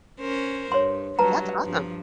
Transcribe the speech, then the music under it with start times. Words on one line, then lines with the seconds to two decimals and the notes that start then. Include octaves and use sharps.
That's awesome.
0.20 C#4 A#4 C5
0.72 G2 C#5 C6
1.19 F#3 G3 B4 A5 A#5
1.63 G2 F3